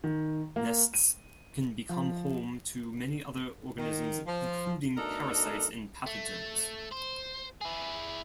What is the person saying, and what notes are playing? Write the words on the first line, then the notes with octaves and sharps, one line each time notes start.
Nests can become home to many other organisms including parasites and pathogens.
D#3
A#3
D#7
F3
D#3
F3
B2 A3 D4 D#4 A4 A#4
A3
C5
E4 G#4